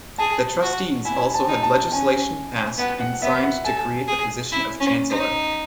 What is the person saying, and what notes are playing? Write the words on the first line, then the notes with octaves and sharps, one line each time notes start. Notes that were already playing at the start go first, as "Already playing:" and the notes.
The trustees also had legislation passed and signed to create the position of chancellor.
G#4 A5
F#4
E4 G#5
A5
D#4
A5
C#4 G#5
B3 F#5
F#5
B3 E5
F#5
A4 G#5
G#4
E4
C#4
D#4